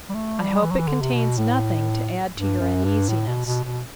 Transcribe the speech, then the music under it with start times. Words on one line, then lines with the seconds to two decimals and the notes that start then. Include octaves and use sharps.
I hope it contains nothing to add to your uneasiness.
0.09 G3
0.14 A3
0.39 G3
0.63 E3
0.71 F#3
0.78 E3
0.87 D3
1.01 C3
1.13 B2
1.37 A2
2.35 G2
2.60 F#2
2.84 G2
3.09 A2
3.27 B2
3.46 B2
3.64 B2